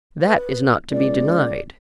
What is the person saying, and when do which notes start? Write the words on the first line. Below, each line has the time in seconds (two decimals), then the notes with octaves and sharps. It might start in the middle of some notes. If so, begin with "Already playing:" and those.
That is not to be denied.
0.24 B4
0.91 C#2 D5